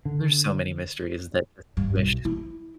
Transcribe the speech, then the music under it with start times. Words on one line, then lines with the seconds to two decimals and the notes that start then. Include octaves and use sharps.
There's so many mysteries that I wish
0.05 D3
1.77 G2
1.95 B1
2.25 E4